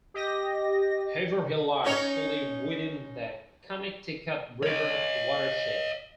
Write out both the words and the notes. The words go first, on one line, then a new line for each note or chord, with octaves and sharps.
Haverhill lies fully within the Connecticut River watershed.
G4 D#5 A#6
C#4 D#4 C#5
C#5 D#5